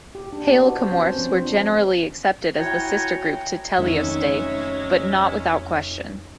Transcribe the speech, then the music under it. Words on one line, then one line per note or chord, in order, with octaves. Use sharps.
Halecomorphs were generally accepted as the sister group to Teleostei but not without question.
G4
D4
B3
F#4
C5
C#4
C4
F3
D4
E4 F#4 C#5 G5 G#5 A#5
F1 F2 D#3 F#3 G#3 C#4 E5